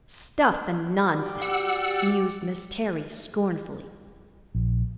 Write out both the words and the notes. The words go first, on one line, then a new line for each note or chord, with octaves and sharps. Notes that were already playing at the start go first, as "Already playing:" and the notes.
"Stuff and nonsense!" mused Miss Terry scornfully.
F#4 G4 D5
F#5 E6
A#1